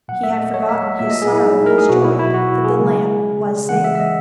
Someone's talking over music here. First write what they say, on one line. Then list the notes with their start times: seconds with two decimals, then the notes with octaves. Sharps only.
He had forgotten his sorrow in his joy that the lamb was saved.
0.08 A#2 F#3 F#5
0.23 E5
0.39 D#5
0.54 C#5
0.69 E5
0.99 A#2 F#3 E5
1.10 D#5
1.22 G#4
1.33 E4
1.44 D#4
1.66 A#4
1.78 G#4
1.89 B2 F#3 F#4
2.04 E4
2.19 E4
2.34 F#4
2.64 G#4
2.80 C#3 G#3
3.69 C#3 E3 G#3 F#5
3.84 E5
3.95 E5
4.00 D#5